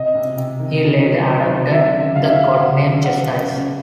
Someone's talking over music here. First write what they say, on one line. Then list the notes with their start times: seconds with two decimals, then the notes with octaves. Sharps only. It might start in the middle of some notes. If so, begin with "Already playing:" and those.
He later adopted the codename Justice.
Already playing: C3 D#5
0.15 C3
0.37 C3
0.59 D#3
0.82 F#3
1.04 F#3
1.26 D#3
1.49 F#3
1.71 F#3 E5
1.93 C#3
2.16 F#3 F5
2.26 E5
2.36 C#3 F5
2.60 F#3 F#5
2.83 C#3
3.04 C#3 F#5
3.27 C#3
3.49 C#3